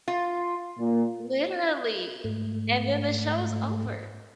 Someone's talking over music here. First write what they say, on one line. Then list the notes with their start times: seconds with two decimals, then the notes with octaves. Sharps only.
Literally, and then the show's over.
0.08 F4
0.78 A#2
2.24 G#2 A3